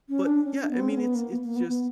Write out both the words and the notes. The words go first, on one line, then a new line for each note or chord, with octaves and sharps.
but, yeah, I mean, it's it's just
C#4
D4
C#4
D4
B3
C4
C#4
B3
A#3
B3
A#3
B3
B3